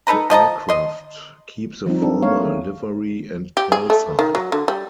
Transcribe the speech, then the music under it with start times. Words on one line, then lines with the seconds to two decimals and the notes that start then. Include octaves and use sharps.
The aircraft keep the former livery and call sign.
0.07 D#4 A4 B4 A#5
0.30 F3 D#5 A5 A#5
0.69 D#5 C6
1.86 F3 G3 C4 D#4
2.02 C4 D4 D#4 A4
2.22 A3 A#3 C#5 F5
2.43 D#3 G#4
3.57 G4
3.72 G#4
3.90 A3
4.19 D#3
4.35 F#3
4.52 D3
4.68 G3